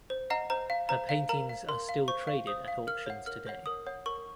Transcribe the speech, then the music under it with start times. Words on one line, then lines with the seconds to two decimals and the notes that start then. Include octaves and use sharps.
Her paintings are still traded at auctions today.
0.10 C5
0.30 D#5 F#5 A#5
0.50 C5 A#5
0.70 F5
0.89 C5 A#5
1.09 F5
1.29 A#4 A#5
1.49 F5
1.68 A#4 C6
1.89 F5
2.08 C5 C#6
2.27 F5
2.47 C5 D#6
2.68 F5
2.87 A#4 F6
3.06 C#5 F#5
3.26 A#4 F6
3.47 C#5 F#5
3.66 A#4 D#6
3.86 C#5 F#5
4.06 A#4 C#6